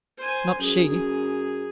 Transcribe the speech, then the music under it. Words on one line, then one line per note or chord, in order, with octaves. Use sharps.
Not she.
C5 G#5
F#2 G#4